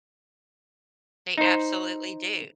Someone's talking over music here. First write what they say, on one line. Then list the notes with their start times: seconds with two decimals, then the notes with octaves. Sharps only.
They absolutely do.
1.38 D#4 C5